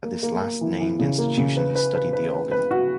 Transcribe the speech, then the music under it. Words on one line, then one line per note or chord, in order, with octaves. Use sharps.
At this last-named institution, he studied the organ.
A#3
A#3
A#3
E3
E3
C#3
A#3
C#3
B4
B4
B4
B4
B4
B4
F#4